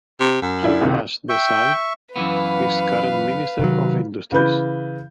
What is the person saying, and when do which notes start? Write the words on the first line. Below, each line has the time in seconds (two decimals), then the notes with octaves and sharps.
Subhash Desai is current Minister of Industries.
0.20 C3
0.42 F#2
0.63 D4 E4 F4
0.81 C#2 C3 D#3
1.29 E5 G5 C#6
2.16 F#2 E3 B3 B4 F5
3.59 C3 D#3 F#3
4.32 C#3 E3 B4 G6